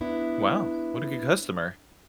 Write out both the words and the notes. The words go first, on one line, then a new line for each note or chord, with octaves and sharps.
Wow. What a good customer.
B3 D4 E4